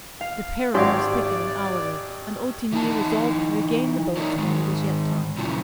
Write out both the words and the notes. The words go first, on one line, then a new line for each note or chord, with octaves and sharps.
The peril was thickening hourly, and Ottigny resolved to regain the boats while there was yet time.
F5
G#1 F#4 G4 C#5 D5 E5 F#5
E3 D#4 E4 A5
D#4 A#4 C#5 D5 E5
D#3 G#3
A#2 C#3 F3 F#3 E4